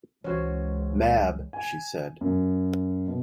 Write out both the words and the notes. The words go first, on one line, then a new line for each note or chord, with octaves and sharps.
Mab, she said.
C#2 E3 C#4 F#4 C5 C#5
G#5
F#2
B2